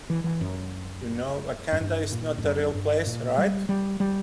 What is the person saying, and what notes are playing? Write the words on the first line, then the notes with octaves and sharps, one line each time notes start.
You know Wakanda is not a real place, right?
E3
E3
F#2
F#2
G2
A#2
G2
F#2
G2
A#2
G3
G3
G3